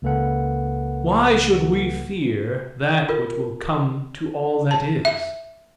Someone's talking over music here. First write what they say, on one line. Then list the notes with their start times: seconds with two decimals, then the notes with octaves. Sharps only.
Why should we fear that which will come to all that is?
0.02 C#2 C#3 A#3 A4 B4 F#5
3.09 F4 A#4
4.71 A5
5.05 E5